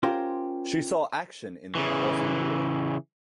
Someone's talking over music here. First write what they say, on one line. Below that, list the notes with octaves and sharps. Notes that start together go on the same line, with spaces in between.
She saw action in the Quasi-War.
C#4 F4 G4 A#4 C5
C#3 E3